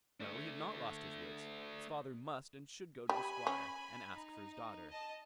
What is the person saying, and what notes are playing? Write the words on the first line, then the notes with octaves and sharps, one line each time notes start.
No! he had not lost his wits, his father must and should go to the Squire, and ask for his daughter.
A3 D4
G3 G#5 B5
C#4
D#4
D#5 A5